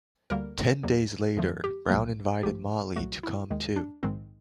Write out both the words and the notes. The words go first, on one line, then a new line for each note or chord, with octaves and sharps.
Ten days later, Brown invited Motley to come, too.
D2 D3 G3 A#3 A#4
E2 B2 F#3 A#3
F2 D3 F3 A3
G4
C2 B2 F#3 A#3
A#1 G#2 F3 A3 G4
C2 A#2 F#3 A3 F#4
E4
D#2 D#3 G#3
D4
A#1 G#2 D#3 G#3 C4